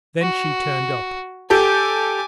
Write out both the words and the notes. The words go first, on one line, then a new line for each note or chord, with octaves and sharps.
Then she turned up.
F#4
G4 A4 G#5 D6